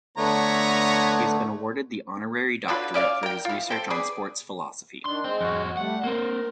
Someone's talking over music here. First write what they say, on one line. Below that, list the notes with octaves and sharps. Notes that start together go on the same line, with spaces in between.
He has been awarded the Honorary Doctorate for his research on Sports Philosophy.
D3 A3 B3 C#5 A#5
D3 F#3 F4 B4
C#4 D5 E5 F5
A#4 G5
E3 F4
A4 C5 G5
G#4 B4 D5
D#3 D4 C6
G#3 C4
F2 F#4
G3 A3 F#5
A#3 C4 A#4